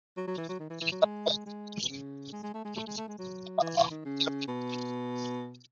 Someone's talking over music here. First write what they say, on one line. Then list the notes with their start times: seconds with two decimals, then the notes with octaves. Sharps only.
She was made an honorary member of the Sociedad de Mexico for her work.
0.17 F#3
0.27 F#3
0.38 E3
0.49 F#3
0.60 D#3
0.70 E3
0.81 E3
0.92 F#3
1.03 G#3
1.46 G#3
1.82 B2
1.89 C#3
2.32 G#3
2.43 G#3
2.54 A3
2.65 G#3
2.76 A3
2.87 G#3
2.97 A3
3.08 G#3
3.18 F#3
3.61 E3
3.77 E3
3.90 D#3
4.05 C#3
4.48 B2